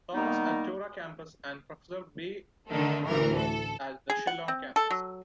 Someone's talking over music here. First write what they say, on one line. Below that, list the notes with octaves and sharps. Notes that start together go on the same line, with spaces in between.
Thomas at the Tura campus and Professor B. Myrboh at the Shillong campus.
D#3 G3 A#3 B3 D#4
D3 D#3 A3
A1 D2 E3 A#4
A4
G#4
F#5
C4
A4
F#3